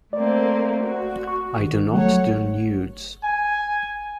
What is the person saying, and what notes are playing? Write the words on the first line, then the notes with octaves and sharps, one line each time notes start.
I do not do nudes.
A3 A#3 C4 D5
F#4
C#6
D#3
F#3 A3 C#5 F#5
G#5